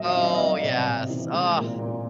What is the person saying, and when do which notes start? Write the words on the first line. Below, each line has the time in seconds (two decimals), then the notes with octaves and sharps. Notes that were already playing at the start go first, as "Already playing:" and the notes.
Oh, yes, ugh.
Already playing: A#2 F#3 D#5 E5
0.09 F5
0.17 F#3
0.25 E5
0.35 D#5
0.40 G3 D5
0.63 C3
0.87 C3
1.10 E3
1.33 G#3
1.56 A#2
1.79 A#2